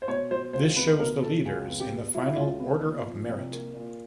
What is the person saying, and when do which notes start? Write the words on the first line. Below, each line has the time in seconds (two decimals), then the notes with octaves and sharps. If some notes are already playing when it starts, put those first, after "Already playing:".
This shows the leaders in the final Order of Merit.
0.02 C5
0.08 B2 C#5
0.31 F#3 C5
0.53 C#2 C5
0.76 B3 B4
0.99 B2 A#4
1.22 F#3 A4
1.45 C#2 G#4
1.68 B3
1.80 G4
1.91 B2
2.14 F#3 E4
2.26 E4
2.37 C#2 F4
2.60 B3
2.83 A#2
3.05 F3
3.29 C2
3.51 A#3
3.74 A#2